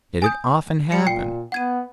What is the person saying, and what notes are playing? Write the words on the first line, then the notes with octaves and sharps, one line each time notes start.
Did it often happen?
G#5 D#6 G6
G3 C#7
A#2 G5 C7 C#7
B3 F#5 G#6 D#7